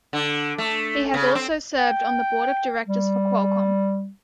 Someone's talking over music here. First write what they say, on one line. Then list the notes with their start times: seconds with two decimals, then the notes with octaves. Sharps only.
He has also served on the board of directors for Qualcomm.
0.13 D3
0.58 A3
1.14 C#3
1.35 C4
1.78 G5
2.86 G3